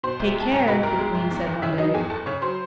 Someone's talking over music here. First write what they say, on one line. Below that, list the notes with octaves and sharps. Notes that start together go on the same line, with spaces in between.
"Take care," the Queen said one day.
B2 C5 C6
C2
G#3 A5
C2 A#5
B2 B4 B5
C2 A#4 A#5
G#3
C2
E2
F#1
C#3 E4 E5
F#3 D#4 D#5
E2 G#4 G#5
F#1 A4 A5
C#3 C#5 C#6
F#3 C5 C6